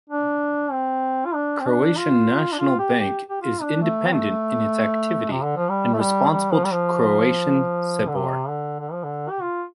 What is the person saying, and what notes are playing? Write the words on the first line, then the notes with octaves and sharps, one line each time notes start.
Croatian National Bank is independent in its activity and responsible to Croatian "Sabor".
D4
C4
F4
D4
C4
D4
F4
D4
F4
G4
G4
G4
F4
D4
A3
C4
A3
C3
D3
F3
G3
A3
G3
G3
F3
G3
F3
D3
C3
D3
D3
F3
D3
G4
F4